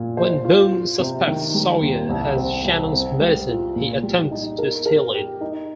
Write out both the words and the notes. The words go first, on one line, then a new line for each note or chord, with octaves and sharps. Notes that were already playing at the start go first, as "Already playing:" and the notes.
When Boone suspects Sawyer has Shannon's medicine, he attempts to steal it.
Already playing: A#2
C5
F4
F4
C3
D#3
G3
D#2
C2
C4
C2
C4
G3
F4
A#2
G3
D#4
A#4
A#4
G4
D#4